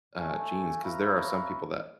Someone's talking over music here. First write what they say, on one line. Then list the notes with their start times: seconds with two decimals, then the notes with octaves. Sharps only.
uh, genes 'cause there are some people that
0.16 A3 G#5
0.83 B4 C#5 E5 F5 A#5 B5